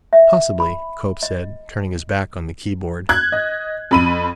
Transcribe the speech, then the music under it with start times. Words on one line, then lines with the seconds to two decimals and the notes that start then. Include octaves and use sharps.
"Possibly," Cope said, turning his back on the keyboard.
0.13 E5
0.60 B5
1.23 D#5
3.09 F#6 G#6
3.32 D#5
3.91 F2 B5 D#7